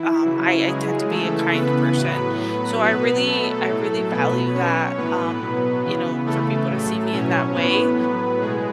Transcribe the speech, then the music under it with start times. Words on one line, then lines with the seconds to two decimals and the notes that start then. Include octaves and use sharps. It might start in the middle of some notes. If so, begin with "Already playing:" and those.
um, I I tend to be a kind person. So I really I really value that, um, you know, for people to see me in that way.
Already playing: E3 E4
0.25 C#3 F#3
0.68 C#3 F#3 G#3 G#4
1.11 C#3 E3 A3 A4
1.54 C#3 E3 B3 B4
1.96 A2 F#3 B3 B4
2.40 A2 F#3
2.83 B2 F#3 B3 B4
3.26 B2 F#3 A3 A4
3.69 A2 F#3
4.12 B2 F#3 B3 B4
4.54 B2 F#3 C#4 C#5
4.97 A2 E3 B3 B4
5.40 B2 F#3
5.83 C#3 E3
6.27 C#3 E3 A3 A4
6.70 A2 F#3
7.13 B2 F#3 C#4 C#5
7.55 A2 E3 B3 B4
7.98 A2 F#3
8.41 B2 G#3 G#4